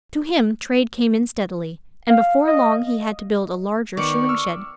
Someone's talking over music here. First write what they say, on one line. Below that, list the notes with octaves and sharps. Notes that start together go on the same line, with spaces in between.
To him trade came in steadily, and before long he had to build a larger shoeing-shed.
F5
D#5
D#3 B3 D5 C#6 C#7
E6 F6